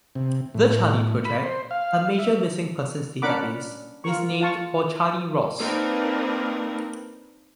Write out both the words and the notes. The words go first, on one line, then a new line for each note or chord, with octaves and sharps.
The Charley Project, a major missing persons database, is named for Charley Ross.
C3
A2
B5
C5
F5
E5
C#4 D4 A#4 F#5 B5 D6
F4 A#4 C#6
F4 F5 A5 C#6
A#3 C4 D4 D#4 A#4 B4